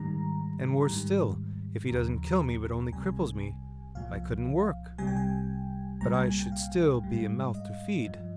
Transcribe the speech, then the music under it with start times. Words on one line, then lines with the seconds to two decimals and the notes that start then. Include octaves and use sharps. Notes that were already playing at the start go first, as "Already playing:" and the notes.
And worse still, if he doesn't kill me but only cripples me: I couldn't work, but I should still be a mouth to feed.
Already playing: G#2 D#3 G3 A#5
0.86 G#2 D#3 G3
1.89 D#2 C#3 F3 A#5
2.91 C2 C3 G3 G#5
3.95 C2 A#2 F3 F5
4.98 C2 C3 G3 G#5
5.07 G5
5.16 G#5
6.01 C2 A#2 G3 A#5
6.14 G#5
6.27 G#5
6.40 G5
6.52 F5
7.04 G#2 G3
7.55 D#5
8.07 G2 F3